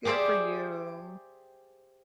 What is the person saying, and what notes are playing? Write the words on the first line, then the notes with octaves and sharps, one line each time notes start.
Good for you.
G4 G#4 C5 D5 E5